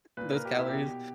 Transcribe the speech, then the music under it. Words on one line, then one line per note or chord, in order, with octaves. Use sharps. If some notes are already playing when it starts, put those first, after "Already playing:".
Those calories,
A#2 B4
A#4
G4
E4
B2 G4